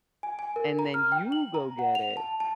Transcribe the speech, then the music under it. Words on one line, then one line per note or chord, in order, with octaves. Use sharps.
and then you go get it,
G#5
G#5
A#4
A#5
F6
G5
F#7
A#5
F#5
F7
A5
A5